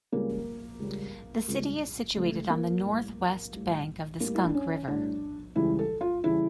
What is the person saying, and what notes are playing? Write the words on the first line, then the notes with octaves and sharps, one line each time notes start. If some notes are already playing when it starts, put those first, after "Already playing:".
The city is situated on the northwest bank of the Skunk River.
C#2 C#3 G3 A#3
C#2 C#3 G3
C#2 C#3 G3
C#2 C#3 G3 A3
A#3
A2 G3
A2 G3
A2 G3 A#3
E4
D4
C#4
A2 G3 D4
C#2 C#3 E3 G3 E4
A4
F4
C#3 E3 G3 E4